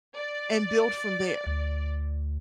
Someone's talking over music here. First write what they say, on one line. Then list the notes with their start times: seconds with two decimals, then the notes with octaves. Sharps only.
And build from there,
0.16 D5
1.46 D2